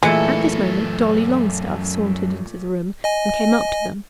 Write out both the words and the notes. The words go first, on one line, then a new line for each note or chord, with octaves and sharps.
At this moment Dolly Longstaff sauntered into the room and came up to them.
F#2 A#2 E3 G#3 A3 A4 C#7
D#5 G#5